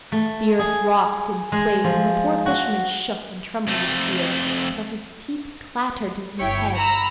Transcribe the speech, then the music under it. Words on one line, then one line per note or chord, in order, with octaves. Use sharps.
The earth rocked and swayed, and the poor fisherman shook and trembled with fear till his teeth clattered in his head.
A3
G#4
G#3
F3
F#4
F2 A3
G1 E4 C#5 G5 C#7
A#5 B5 E6